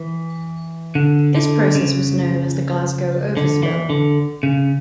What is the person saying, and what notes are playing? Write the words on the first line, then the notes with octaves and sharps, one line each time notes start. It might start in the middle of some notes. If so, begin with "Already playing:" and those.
This process was known as the "Glasgow overspill".
Already playing: E3
D3
D3
C#3
D3
E3
D3
C#3